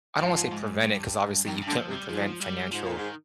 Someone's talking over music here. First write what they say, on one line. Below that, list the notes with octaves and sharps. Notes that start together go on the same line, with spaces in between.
I don't wanna say prevent it 'cause, obviously, you can't really prevent financial,
G#2 F3
G#2
G2
F2 D#3
G2
D3
F3
C3
G3
G#2 F3
G3
G#2 F3
A#2
G#2 D#3